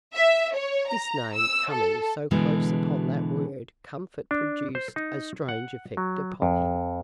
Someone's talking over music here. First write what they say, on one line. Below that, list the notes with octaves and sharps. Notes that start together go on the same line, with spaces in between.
This name coming so close upon that word comfort produced a strange effect upon him.
E5
C#5
A#5
E6
A4
B2 D3 E3 G#3
D4
C5
D#4
F#5
F#3
F2